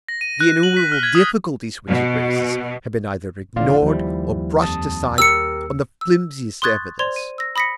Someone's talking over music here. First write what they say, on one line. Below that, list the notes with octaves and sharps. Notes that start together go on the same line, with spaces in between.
The innumerable difficulties which it raises have been either ignored, or brushed aside on the flimsiest evidence.
A#6
D#7
F#6
F#7
B6
F6
G#6
D#6
B2
F1 A2 D3 F4 D5 F5
D#2 F3 G3 E4
F2 A5 D#6
G4 A#4 E6 C#7
E6
C6 C#6 D#6 F#6 G#6 A6
C5 D5 C6 G#6 F7
D#7
E6 A#6
B5 D#6 A#6 B6 C#7